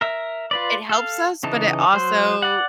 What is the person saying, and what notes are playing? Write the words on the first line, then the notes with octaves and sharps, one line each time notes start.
it helps us, but it also
A#4 E5
F4 B4 D5
A4 F5
C#3 E3 D#4 A5
F#3 C5
D5 F#5